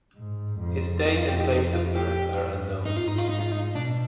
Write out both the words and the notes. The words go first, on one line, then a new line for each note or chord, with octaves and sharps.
His date and place of birth are unknown.
G#2
F2
D#4
F4
G4
G4
D#4
F4
G4
G2
G#2 D#4
F4
D#4
F4
D#4
F4
D#4
B2 D4